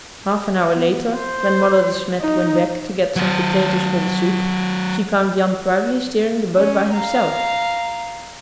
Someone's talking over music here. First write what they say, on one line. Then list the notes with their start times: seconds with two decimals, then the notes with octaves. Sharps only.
Half an hour later, when Mother De Smet went back to get some potatoes for the soup, she found Jan proudly steering the boat by himself.
0.73 B3
1.14 C5
2.20 D#4
3.16 F#3 C5
6.57 C#4
6.93 F5 A#5